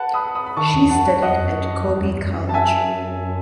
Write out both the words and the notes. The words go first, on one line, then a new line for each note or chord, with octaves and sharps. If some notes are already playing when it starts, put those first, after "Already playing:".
She studied at Kobe College.
Already playing: B4 F#5 A5
B5 D#6
B5 D#6
B5
D#3 A5 C#6
E2
F#2 F#5 A5
F#2
F#2 D#5 F#5
E2
F#2
E2
F#2
E2
F#2
A5
E5 G#5